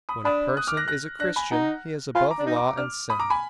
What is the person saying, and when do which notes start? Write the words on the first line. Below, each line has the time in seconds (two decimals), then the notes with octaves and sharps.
When a person is a Christian he is above law and sin.
0.09 B5 D#6
0.24 D4 B5 D#6
0.57 D#6 F#6
0.67 D6 F6
0.77 F#6 A#6
0.88 F#6 A#6
1.20 D4 F#6 A#6
1.36 G#5 B5
1.51 D#4 F#5 A#5
2.15 F4 G#5 B5
2.31 A#5 D6
2.39 D4
2.46 D#4
2.56 A#5 D6
2.67 A#5 D6
2.77 D4 D6 F6
3.10 B5 D#6
3.19 A#5 D6
3.30 G#5 B5